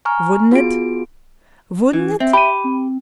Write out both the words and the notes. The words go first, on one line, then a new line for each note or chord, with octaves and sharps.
Wouldn't it? Wouldn't it?
G#5 A#5 C#6 F6
B3 F4 F#4 G#4 D7
E3 C#4
C4 E5
G4 B5 D#7
C4